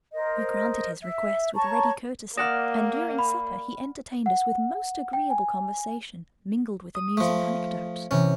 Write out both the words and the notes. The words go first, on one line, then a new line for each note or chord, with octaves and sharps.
We granted his request with ready courtesy, and during supper he entertained us with most agreeable conversation, mingled with amusing anecdotes.
A#4 C5 D#5
E5
C#5 A5 A#5 C#6
A#3 D5 F#5 D#6 F6 A#6 E7
B5
F#5
G5
G#5
D#6
F3 A3
C3 E3 C#4